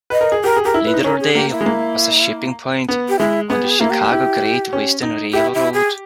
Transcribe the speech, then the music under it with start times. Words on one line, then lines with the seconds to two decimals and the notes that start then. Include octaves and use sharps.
Lidderdale was a shipping point on the Chicago Great Western Railroad.
0.10 B4 D#5
0.21 A#4
0.32 G#4
0.44 G4 A#4
0.56 G#4
0.65 G4 A#4
0.74 E4
0.85 B4
0.94 D#4
1.04 C#4 A#4
1.20 G#4
1.35 A#3 G4
1.51 E4
1.61 G#3
1.66 A#3
2.89 B3
3.09 G4
3.19 G#3 E4
3.50 B3 G#4
3.64 G4
3.70 G#4
3.80 A#3 E4
3.90 G4
4.12 E4
4.73 C#4
5.03 D#4
5.33 E4 G4
5.54 E4
5.74 G#4